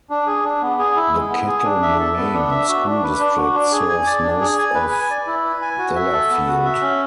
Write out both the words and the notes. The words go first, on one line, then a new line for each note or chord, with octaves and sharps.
The Kettle Moraine School District serves most of Delafield.
D4
G#4
D4
B3
G#4
E4
G#3
B3
G#4
D4
E5
A4
B3
D4
E5
F#4
D4
B4
D4
F#4
D4
G#4
G#5
D5
D4
G#4
G#5
B4
G#5
D5
E4
B4
G#5
F#4
E5
A4
B3
F#4
E5
C#4